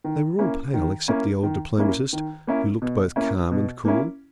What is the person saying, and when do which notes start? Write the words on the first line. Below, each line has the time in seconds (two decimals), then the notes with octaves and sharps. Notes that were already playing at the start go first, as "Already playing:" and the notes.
They were all pale except the old diplomatist, who looked both calm and cool.
0.04 D#3
0.39 A#3 C#4 E4
0.74 D#3
1.08 A#3 C#4 E4
1.43 D#3
1.78 A#3 C#4 E4
2.13 D#3
2.47 A#3 C#4 E4
2.82 B2
3.16 A#3 C#4 E4
3.51 B2
3.85 A#3 C#4 E4